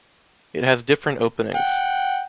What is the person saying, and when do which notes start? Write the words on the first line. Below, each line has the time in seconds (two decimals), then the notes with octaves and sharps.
It has different openings.
1.55 F#5 G5